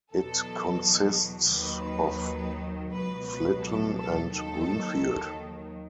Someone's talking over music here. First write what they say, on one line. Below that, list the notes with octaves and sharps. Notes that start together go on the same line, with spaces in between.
It consists of Flitton and Greenfield.
E2 B2 F#3 A4
D#2 D#3 F#3 B4
C#2 B2 F#3 B4
B4
A4
A4
D#2 D#3 F#3 A4